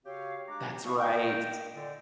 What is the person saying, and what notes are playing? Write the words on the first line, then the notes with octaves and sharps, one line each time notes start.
That's right.
C#3 C4 F#4 G4 C#5 F5
G#3 D4 G4 A#5 D6
E4 F#4 B4 F5 C#6
D#5 G5
A#2 D3 D5